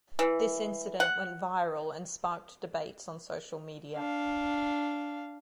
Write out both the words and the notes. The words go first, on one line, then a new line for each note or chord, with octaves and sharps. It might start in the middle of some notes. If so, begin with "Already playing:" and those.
This incident went viral and sparked debates on social media.
E3
F#5
D4 F5